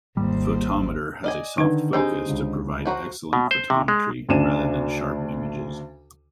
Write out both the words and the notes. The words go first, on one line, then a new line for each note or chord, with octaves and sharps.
The photometer has a soft focus to provide excellent photometry, rather than sharp images.
G#1 D#2 G3 C5
D5 D#5 G#5
D3 D#3 D#4 B4
C4 D4 D#4 G4 G#4 G#5
C#2 D3
F3 F#4 A#5
B2
C5
C3
G#3
D2 C#3 D4 D#7 E7